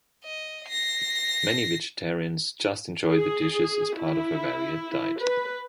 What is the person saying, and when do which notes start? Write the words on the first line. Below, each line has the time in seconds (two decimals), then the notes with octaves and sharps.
Many vegetarians just enjoy these dishes as part of a varied diet.
0.24 D#5
0.68 A#6 C7
3.06 G#4
3.97 E4
5.19 B4